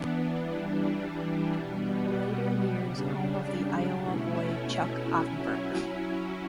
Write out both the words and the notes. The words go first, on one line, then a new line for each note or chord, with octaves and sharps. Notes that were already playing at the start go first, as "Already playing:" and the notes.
Later years home of the "Iowa Boy" Chuck Offenburger.
Already playing: E3 B3 D4
E3 G3 D4
B2 G3 B3
C#3 G3 D4
B2 A3 C#4 E4
F#3 C#4 E4